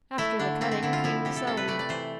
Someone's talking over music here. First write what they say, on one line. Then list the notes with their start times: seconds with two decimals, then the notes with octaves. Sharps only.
After the cutting came the sewing.
0.18 A3 E4
0.39 D3 D4
0.61 A3 C4
0.71 C4
0.83 D3 E4
0.93 F4
1.04 F3 E4
1.25 C3 G4
1.37 A4
1.47 C3 A4
1.57 B4
1.68 A3 D5
1.79 D5
1.89 E3 C5